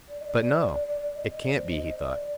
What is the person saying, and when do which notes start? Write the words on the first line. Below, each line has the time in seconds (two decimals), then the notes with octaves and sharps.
"But no, it can't be!" he thought.
0.09 D5
0.20 D#5
0.27 D5
0.45 D5
0.59 D5
0.73 D5
0.88 D5
1.01 D5
1.15 D#5
1.29 D#5
1.42 D5
1.57 C5
1.71 D#5
1.85 D#5
1.98 D5
2.11 D5